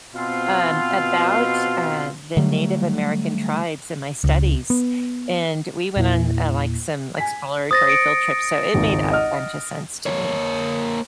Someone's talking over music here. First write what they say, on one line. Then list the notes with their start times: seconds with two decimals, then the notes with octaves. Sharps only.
um, about, uh, the Native American tribes and my studies, and we went on, uh, like, some exploratory field trips, so it made a bunch of sense to me.
0.15 B2 C4 F4
2.37 D3 F#3 G3 A3
4.24 C#2
4.70 B3
5.96 E2 A#2 A#3 E4
7.18 G#5 B6
7.71 C5 D#6 A6 A#6
7.89 C#7 D7
8.74 G#1 C#2
9.12 D#5 F#5 F6
10.06 A#3 C#5